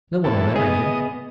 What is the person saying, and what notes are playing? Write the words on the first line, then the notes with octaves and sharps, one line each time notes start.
No one will marry you.
E2 A4
B3 G#4 D#5